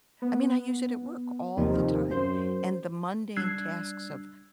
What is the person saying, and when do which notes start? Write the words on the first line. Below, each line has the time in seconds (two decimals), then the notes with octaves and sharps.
I mean, I use it at work all the time, and the mundane tasks of
0.22 B3
1.57 D#2 C3 D#3 F3
2.11 F#2 C5
3.36 G3 D4 E6 F#6 G#6 C7